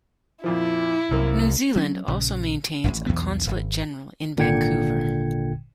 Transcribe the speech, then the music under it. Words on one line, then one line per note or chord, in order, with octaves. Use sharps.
New Zealand also maintains a consulate-general in Vancouver.
F2 A#2 F3 E4
C2 F#2 A#3
F#3 C#4
A#1 C#3
D1 A1 D#2
B1 E2 E3 B3
D1 G#1
G#1 A#2 D3 G5 G#6 C#7